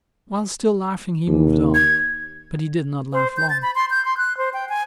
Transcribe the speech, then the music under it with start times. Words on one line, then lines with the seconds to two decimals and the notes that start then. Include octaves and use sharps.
While still laughing he moved on; but he did not laugh long.
1.28 D#2
1.75 G#6
3.13 C5
3.37 G6
3.50 A6
3.62 B5
3.75 C6
3.90 G6
4.05 C6
4.17 F#6
4.38 C5
4.54 G5
4.69 G#5